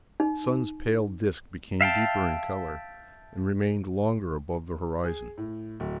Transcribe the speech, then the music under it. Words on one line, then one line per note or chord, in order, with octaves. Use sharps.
The sun's pale disc became deeper in colour, and remained longer above the horizon.
D#4
E5 F5 G5 A5
G#4
A2
D1